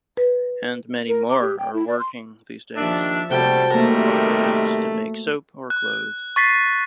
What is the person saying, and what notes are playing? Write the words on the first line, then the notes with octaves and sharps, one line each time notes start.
And many more are working these days, forming co-operatives to make soap or clothes.
B4
A#4
D6
G4
G5
E4
D5
C6
D#2 F3 D4 E5
C3 G3 A3 F#4 G5 A5
C3 D#3 G3 A3 A#3 A#4
F#6
C#6 A6 B6 C7